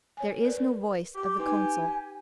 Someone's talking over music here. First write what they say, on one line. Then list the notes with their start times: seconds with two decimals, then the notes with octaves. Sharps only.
There is no voice of the council.
0.17 C#5 G#5
0.45 A#4 B4 D5
1.15 G4 D6
1.39 D#4 B4 G#5